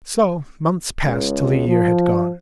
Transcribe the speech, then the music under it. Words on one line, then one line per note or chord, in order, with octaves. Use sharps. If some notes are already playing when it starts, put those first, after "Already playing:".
So months passed till a year had gone.
C#2
F3